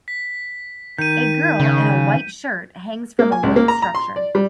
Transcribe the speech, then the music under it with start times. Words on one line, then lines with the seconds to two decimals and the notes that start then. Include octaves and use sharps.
A girl in a white shirt hangs from a wooden structure.
0.08 B6
0.98 D#3 G6 D#7
1.60 C#3
3.19 A#3
3.32 G#5
3.43 C#2
3.56 A#3
3.68 A#5
3.82 A#5
3.95 C6
4.16 D5
4.35 G3